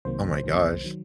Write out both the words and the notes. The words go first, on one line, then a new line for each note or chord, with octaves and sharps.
Oh my gosh.
C2 C3 D#3 F#3 A#3 C5
C2 C3 D#3 F#3 A#3
D#3 F#3